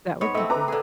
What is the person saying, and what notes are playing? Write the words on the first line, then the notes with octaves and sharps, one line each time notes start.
That would be good.
G#2 B3 C#5
A3 C4 D#5
B4 A#5 D6
D3 G#4